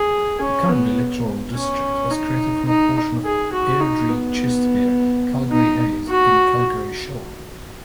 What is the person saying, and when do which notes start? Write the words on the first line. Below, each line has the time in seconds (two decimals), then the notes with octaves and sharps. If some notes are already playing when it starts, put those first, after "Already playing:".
The current electoral district was created from a portion of Airdrie-Chestermere, Calgary-Hays and Calgary-Shaw.
Already playing: G#4
0.41 C#4
0.68 B3
1.54 C#4
2.10 D#4
2.68 D#4
3.24 G#4
3.53 F#4
3.80 D#4
4.09 B3
5.51 D#4
6.08 F#4